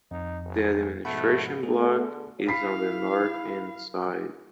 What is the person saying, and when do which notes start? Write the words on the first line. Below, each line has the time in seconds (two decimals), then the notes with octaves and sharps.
The administration block is on the northern side.
0.11 F2 D#4
0.45 G1
1.05 G#2 B2 F3 A3 F#5 B5
1.63 D3 A3 B3 F#4 G#4 A4
2.48 E4 F5 B5 B6 C7